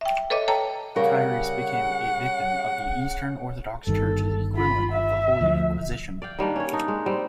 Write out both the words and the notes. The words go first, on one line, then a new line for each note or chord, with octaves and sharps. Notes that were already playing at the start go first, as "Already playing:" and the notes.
Kairis became a victim of the Eastern Orthodox Church's equivalent of the Holy Inquisition.
E5 G5
A4 B4 C#5 D#5 E5 D6
A4 C#5 G5 A5 A#5
C#3 G3 A#4 C#5 F#5
G1 G2 D#3 A4
F4 B5
E5
D2 F3
D5 F5 G5
D#3 G3 A#3 D4
C#4 C#5
D4 D#4
G#3
G3 C4